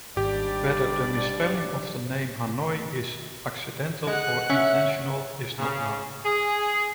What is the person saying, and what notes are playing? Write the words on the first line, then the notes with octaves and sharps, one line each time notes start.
Whether the misspelling of the name Hanoi is accidental or intentional is not known.
G#1 G#2 G3 D4 G4 D5
G#3 F#5 F#6
C#4 E5
C#3
G#4